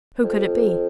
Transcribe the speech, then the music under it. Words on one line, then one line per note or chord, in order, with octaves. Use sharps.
Who could it be?
F2